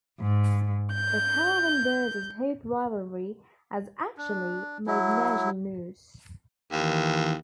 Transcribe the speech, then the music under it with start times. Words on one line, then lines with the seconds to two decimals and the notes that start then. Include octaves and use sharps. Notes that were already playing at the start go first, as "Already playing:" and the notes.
The Calvin versus Hope rivalry has actually made national news.
0.21 G#2
0.95 G6
4.17 D4
4.87 F#3 E4
6.72 D#2 D#3 E3